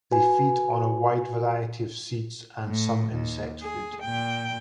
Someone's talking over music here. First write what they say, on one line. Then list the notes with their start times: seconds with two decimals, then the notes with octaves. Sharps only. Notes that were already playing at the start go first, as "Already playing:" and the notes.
They feed on a wide variety of seeds and some insect food.
0.11 F#4 B4 G#5
2.66 A2
3.14 D#2
3.62 G#4
4.02 A#2 G5